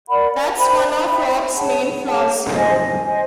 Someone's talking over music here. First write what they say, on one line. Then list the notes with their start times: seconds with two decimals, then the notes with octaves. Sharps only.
That's one of Rob's main flaws.
0.08 A#4 D5 F#5 B5
0.57 C5 E5 G5 B5
1.07 C5 E5 G5 B5
1.56 G#4 C#5 F#5 A5
2.05 G#4 C#5 F#5 A5
2.54 C5 D#5 G#5
3.02 C5 D#5 G#5